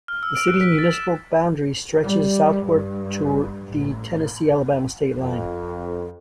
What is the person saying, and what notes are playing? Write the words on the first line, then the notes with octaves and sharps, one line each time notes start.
The city's municipal boundary stretches southward to the Tennessee-Alabama state line.
F6
E6
D7
F#6
B6
A6
E7
G3
G2
A1
F2